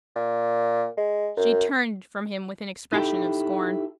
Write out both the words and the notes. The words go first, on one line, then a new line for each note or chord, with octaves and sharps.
She turned from him with an expression of scorn.
A#2
G#3
F#2
D#4 E4 G4 A4 G5